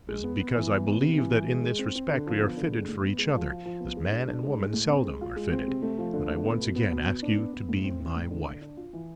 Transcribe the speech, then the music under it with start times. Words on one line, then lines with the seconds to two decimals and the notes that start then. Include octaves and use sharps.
It is because I believe that in this respect we are fitted for each other, as man and woman seldom are fitted, that I once again ask you to be my wife.
0.09 G#3
0.24 B3
0.40 B3
0.55 E3
0.71 B3
0.86 B3
1.02 C3
1.18 E3
1.32 E3
1.48 G#3
1.64 G#3
1.79 C4
1.95 C4
2.10 D3
2.26 F3
2.41 B3
2.57 D3
2.72 G#3
2.88 A2
3.03 B3
3.19 G#3
3.35 F3
3.50 F4
3.65 F3
3.80 B3
3.97 G#3
4.12 D4
4.28 D4
4.43 G#3
4.59 G#3
4.74 A2
4.89 C4
5.05 G#3
5.21 F4
5.36 G#3
5.52 C4
5.67 C3
5.82 A3
5.98 F3
6.14 D3
6.29 A3
6.44 B3
6.60 B2
6.76 B3
6.92 B2
7.07 B3
7.23 D4
7.38 B3
7.53 B3
7.69 A2
7.84 C4
8.00 C4
8.16 A2
8.31 D3
8.46 D3
8.61 D4
8.77 F4
8.93 E3